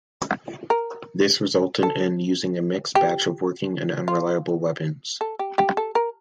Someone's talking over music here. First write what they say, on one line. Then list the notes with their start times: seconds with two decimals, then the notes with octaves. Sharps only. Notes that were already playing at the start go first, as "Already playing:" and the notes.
This resulted in using a mixed batch of working and unreliable weapons.
0.70 A#4
1.83 A4
2.95 G4
4.08 F4
5.21 A4
5.39 G4
5.58 G4
5.77 A4
5.95 A#4